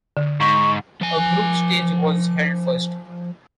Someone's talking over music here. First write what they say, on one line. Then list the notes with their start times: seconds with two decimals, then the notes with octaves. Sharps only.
A group stage was held first.
0.17 D3
0.40 G#2 C#6
1.01 F3 G#5